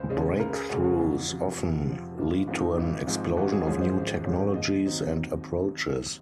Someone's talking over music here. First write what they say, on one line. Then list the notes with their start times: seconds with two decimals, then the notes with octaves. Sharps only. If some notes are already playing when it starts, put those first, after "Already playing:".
Breakthroughs often lead to an explosion of new technologies and approaches.
Already playing: C#2 C5
0.09 C#3 G#3 C#4
0.39 C#2 A#4
0.54 G#4
0.69 C#3 G#3 C#4 F#4
0.84 F#4
0.99 F2
1.28 C3 F3 C4
1.58 F2
1.89 C3 F3 C4
2.18 G#1 F4
2.48 G#2 F3 C4 D#4
2.77 G#1
3.07 G#2 F3 C4 D#4
3.37 G#1 F#4
3.52 G#4
3.67 G#2 F3 G#3 C#4 G#4
3.81 C5
3.96 G#1
4.26 G#2 F3 G#3 C#4
4.55 D#2 D#5
4.85 D#3 F#3 C4 D#4